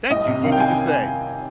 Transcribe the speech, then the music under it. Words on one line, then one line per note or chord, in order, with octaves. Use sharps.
Thank you, you do the same.
C2 D#5
C3
D#3 F5
G5
G#5